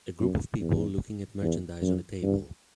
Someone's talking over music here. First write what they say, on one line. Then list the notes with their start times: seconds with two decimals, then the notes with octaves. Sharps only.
A group of people looking at merchandise on a table.
0.20 F#2
0.60 E2
1.42 E2
1.81 F#2
2.23 G2